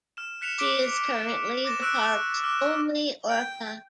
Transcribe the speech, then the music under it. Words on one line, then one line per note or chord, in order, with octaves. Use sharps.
She is currently the park's only orca.
F6 E7
F#6 B6 C#7 E7 F7
D6 F#6 B6 D7 G7
D6 A6 A#6 E7
C#6 E6 F#6 D7
D6 F6 E7
G5